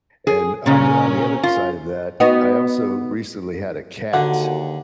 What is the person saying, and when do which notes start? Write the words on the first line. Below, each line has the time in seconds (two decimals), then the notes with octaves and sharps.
and on the on the other side of that, I also recently had a cat,
0.27 G#4
0.66 A#2 C#3 C#4 A#4
1.43 F4
2.20 B3 D#4 F#4
4.13 D#2 D3 F#4 A4 A#4 F#5